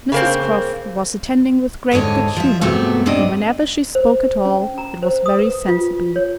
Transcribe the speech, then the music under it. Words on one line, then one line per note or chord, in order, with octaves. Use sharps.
Mrs Croft was attending with great good-humour, and whenever she spoke at all, it was very sensibly.
C#3 A#3 C4
D#2 G#2 D3 C#5 D#5
F3 E5
G#2 C3 F#3 A3 B3
G#2 C4 D4 D#5
C5
C#4
A#5
C5
D#6
B4
F4
C#5